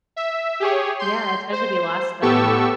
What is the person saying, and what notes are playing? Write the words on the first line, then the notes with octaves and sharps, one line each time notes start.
Yeah, especially if you lost them.
E5
G4 G#4 C#5
C6 G6
C5
A2 B3 G4 A4 C#6 E6